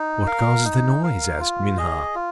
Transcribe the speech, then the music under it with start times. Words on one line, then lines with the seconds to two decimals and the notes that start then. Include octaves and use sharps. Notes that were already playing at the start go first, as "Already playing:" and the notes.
"What causes the noise?" asked Minha.
Already playing: D#4
0.27 A#4 F5
0.65 D#4
1.03 A#4 F5
1.40 F4
1.77 G#4 D#5
2.15 F4